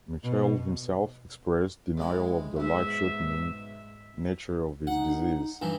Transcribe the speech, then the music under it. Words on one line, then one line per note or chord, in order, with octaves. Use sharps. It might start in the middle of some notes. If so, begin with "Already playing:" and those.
Michel himself expressed denial of the life-shortening nature of his disease.
B2
F2 G#3 E4
B1 G#2 E5
D#4 F#5
G2 E3